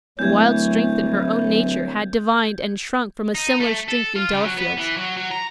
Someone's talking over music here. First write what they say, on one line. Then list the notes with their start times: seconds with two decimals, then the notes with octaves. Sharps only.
The wild strength in her own nature had divined and shrunk from a similar strength in Delafield's.
0.19 D1 E3 F#3 A3 G6 G#6
3.35 D#4
3.60 A3
3.88 A4
4.16 F4
4.32 C#3
4.44 F#3
4.58 B3
4.78 E3
4.97 F#3
5.17 F#3
5.31 A#5